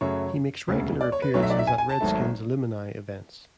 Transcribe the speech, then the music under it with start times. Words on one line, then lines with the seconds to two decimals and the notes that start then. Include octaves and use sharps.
He makes regular appearances at Redskins alumni events.
0.01 F#2 C#3 F#3 A3 C#5
0.68 E1 D2 C#3
1.01 D5
1.12 C#5
1.22 B4
1.34 B1 B2 F#3 A3 C#5
1.43 E5
1.50 D5
1.59 E5
1.67 G#5
1.78 G#5
1.89 A5
2.00 G#1 G#2 F#3 A3